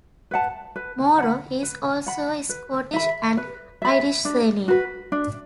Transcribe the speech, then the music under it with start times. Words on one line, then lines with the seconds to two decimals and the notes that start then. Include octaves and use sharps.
"Morrow" is also a Scottish and Irish surname.
0.31 B4 F#5 A5
0.76 B4
1.18 F#5 B5
1.63 B4
2.06 F#5 B5
2.49 B4
2.93 E5 B5
3.37 B4
3.82 E5 B5
4.25 D4
4.68 F#4 B4
5.12 D4